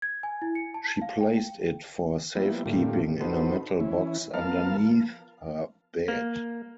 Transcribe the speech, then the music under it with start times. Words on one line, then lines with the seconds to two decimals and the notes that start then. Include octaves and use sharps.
She placed it for safekeeping in a metal box underneath her bed.
0.02 G#6
0.23 G#5
0.42 E4
0.55 C#7
0.74 A5
1.02 F5
1.21 G5
2.35 F3 G3 A#3 B3 E4
2.66 A2 D3 A3 A#3 F4 G4
3.21 D#4 F#4 A4 B4 C5
3.80 E3 C#4 E4
4.34 F3 B3 A#4 F5 A5 F6
6.08 A#3